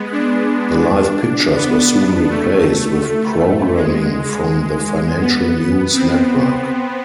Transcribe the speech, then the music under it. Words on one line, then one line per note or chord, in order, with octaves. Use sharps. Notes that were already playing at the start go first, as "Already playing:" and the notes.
The live pictures were soon replaced with programming from the Financial News Network.
Already playing: G#3 B3
D4
B3
A3
G#3
B3
C4